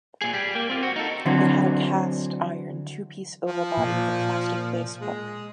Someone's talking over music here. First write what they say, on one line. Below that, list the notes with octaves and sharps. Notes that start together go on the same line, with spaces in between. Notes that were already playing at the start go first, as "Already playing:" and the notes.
It had a cast-iron two-piece oval body with a plastic base plug.
A#2 G#4
G3 G4
A#3
C4 F4
F#4
D#4 A4
D3 E3 F#3 C4
F3
A#2
G#3